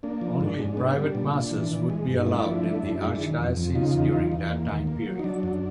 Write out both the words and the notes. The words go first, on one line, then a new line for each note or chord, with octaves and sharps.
Only private masses would be allowed in the archdiocese during that time period.
A#3 D4
F3
G#2 D4
G#2
B3 D4
G3
A#2
A#2
E3
E3
G#3
G2
D#4
A3 D4 E4
F3
A3
F#2
G#3
D#3
F2
F2
C#3 D#4 F4
E2
E2
E2
A#3
D#2
A#3
F#3
D#4
F#3 D4
F#2